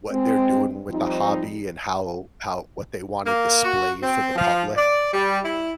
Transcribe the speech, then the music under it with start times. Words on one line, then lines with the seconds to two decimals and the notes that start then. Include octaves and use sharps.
what they're doing with the hobby and how how what they wanna display for the public,
0.10 G#3 C4
0.90 F3 G3 C4 D#4
3.26 A#3
3.63 F#4
4.02 C4
4.35 F3
4.76 D5
5.13 G3
5.43 E4